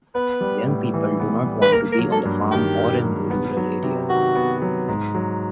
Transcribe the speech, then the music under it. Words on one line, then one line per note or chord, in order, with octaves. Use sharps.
Young people do not want to be on the farm or in rural areas.
B3 B4
G3
A2
E3
B3
G3
B4
A#3 A#4
A#4
F#3
A4
G2
D#3 G4
A#3
F#3
B3
F#3
C3
D#3 F#4
B3
F#3
G#2
F#3